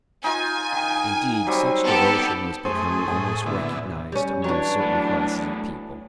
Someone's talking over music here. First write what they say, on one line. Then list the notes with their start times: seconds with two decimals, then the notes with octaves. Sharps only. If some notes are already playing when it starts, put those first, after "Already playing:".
Indeed, such devotion was becoming almost recognised among certain classes of people.
0.24 D#4 F4 G#5
0.72 D#3
1.47 F#3 G3 C4
1.84 B3 G4 A4
2.65 F#2 A3 G#4 C5 D#6
3.08 A2 G#5
3.46 A#2 D3 B3 E4
4.12 G3 C#4
4.44 E3 F#3 D4 C#5
4.80 A3 B3